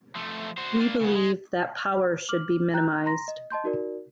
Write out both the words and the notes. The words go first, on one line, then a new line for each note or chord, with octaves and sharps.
We believe that power should be minimized.
F3 A3
F#4 C5
A#3 D4
C#3 B3
G#3
D6 F6 F#7
G5 A#5 F#6 G6
A#5 C6 A#6
D#5
D#5 A5 C6 G6
D#4 F#4 A#4 D5